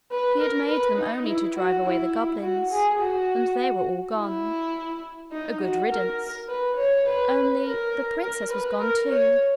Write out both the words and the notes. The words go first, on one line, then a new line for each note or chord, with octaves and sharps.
He had made them only to drive away the goblins, and they were all gone--a good riddance--only the princess was gone too!
B4
A#4
B4
D#4
E4
F#4
E4
F#4
G#4
F#4
E4
D#4
F#4
A#4
B4
C#5
B4
A#4
A#4
B4
A#4
C#5